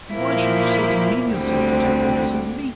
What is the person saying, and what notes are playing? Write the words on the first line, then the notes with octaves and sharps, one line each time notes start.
And why should you so demean yourself to take notice of me?
A#2 F3 A#3 E4
D2 D3 G3 C4